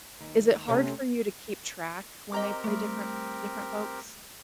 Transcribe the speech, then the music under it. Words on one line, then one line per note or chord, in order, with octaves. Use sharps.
Is it hard for you to keep track when they play different different folks?
D#2
C3 A3 C#4
C4 G4 A#4 D#5 A#5 D6
G3 A3